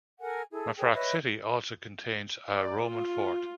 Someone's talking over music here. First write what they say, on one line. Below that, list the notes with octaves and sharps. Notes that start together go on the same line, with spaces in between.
Mafraq city also contains a Roman fort.
A4 A#4 F#5 G#5
E4 G#4 A4
G#4 A#4 C#5 G5
B4 C#5 D#5 E5
D5
F4